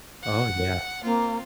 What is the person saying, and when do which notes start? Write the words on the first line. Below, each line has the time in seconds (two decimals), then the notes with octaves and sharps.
Oh, yeah,
0.23 F#5
1.03 A#3 C4 F4